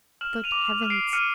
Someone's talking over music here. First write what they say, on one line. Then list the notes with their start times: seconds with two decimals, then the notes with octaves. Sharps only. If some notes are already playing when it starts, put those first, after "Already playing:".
Good Heavens!
0.21 F6 E7 F#7
0.44 D#7 F7
0.52 D6
0.83 F6
0.90 C7 D7
1.13 F6 C#7 D#7